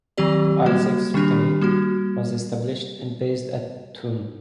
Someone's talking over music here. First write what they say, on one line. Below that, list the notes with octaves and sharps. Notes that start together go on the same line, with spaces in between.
The Isaaq Sultanate was established and based at Toon.
D#3 F#3 C4 G4 D5
G3 A#3 F#4
D#3 G3 D4 G4
G3 A#3 F#4